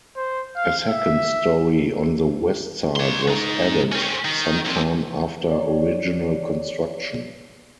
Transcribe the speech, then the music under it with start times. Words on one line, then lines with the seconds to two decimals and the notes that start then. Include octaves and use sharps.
A second story on the west side was added some time after original construction.
0.16 C5
0.56 F5
0.87 E5
2.96 C#5 C6
3.28 G#3 D#4
3.92 C4 C#4
4.25 D#3
4.66 C2 C3
5.51 C#5 D5